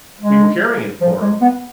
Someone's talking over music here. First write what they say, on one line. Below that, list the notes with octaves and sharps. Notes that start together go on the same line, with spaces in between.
"We were carrying it for him."
G#3
F3
G#3
B3